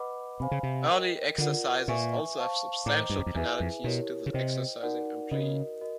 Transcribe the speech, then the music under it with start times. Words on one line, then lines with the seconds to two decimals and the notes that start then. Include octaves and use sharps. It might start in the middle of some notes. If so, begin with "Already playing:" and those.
Early exercises also have substantial penalties to the exercising employee.
Already playing: B4 D#5 F#5 B5 D6
0.40 C3 C5 F5 G#5 B5
0.51 C#3
0.63 C3
0.90 A#4 D#5 G5
1.38 D3 F4 A#4 D5 F#5
1.87 A#2 B4 E5 G#5 C#6
2.37 C5 F5 A5 C#6
2.85 A2 C5 D#5 G5 A#5 D6
3.10 G2
3.19 F#2
3.26 F2
3.35 E2 E4 G#4 B4 E5 G#5
3.60 F2
3.84 B2 E4 G4 A#4 C#5
4.26 C#3
4.33 C3 C5 D#5 G5
4.83 D#4 F#4 A#4 D5 F#5
5.31 C#3 F#4 A#4 D#5
5.81 F#4 A#4 D#5